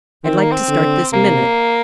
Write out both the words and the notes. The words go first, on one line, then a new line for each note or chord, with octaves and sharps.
I'd like to start this minute.
D#3 C4
A#3
C4
D3
C3 A#3